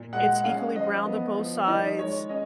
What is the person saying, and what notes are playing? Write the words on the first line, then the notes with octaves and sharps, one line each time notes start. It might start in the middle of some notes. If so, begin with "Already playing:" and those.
it's equally browned on both sides
Already playing: A#2
G#3 F#5
F#5
C#4 F5
F3 D#5
B3
F3
D#3 D#5
G#3 C#5
C#4 D#5